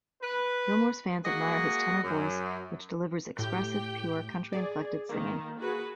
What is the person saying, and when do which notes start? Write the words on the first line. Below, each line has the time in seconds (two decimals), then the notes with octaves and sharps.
Gilmore's fans admire his tenor voice, which delivers expressive, pure, country-inflected singing.
0.22 B4
1.25 G#3 A#3 F#4 G#4 D#5
2.04 F#2
3.39 A2 G4 G5
4.53 G#4 D5
5.09 D#3 A#3
5.59 F#4 G#4 B4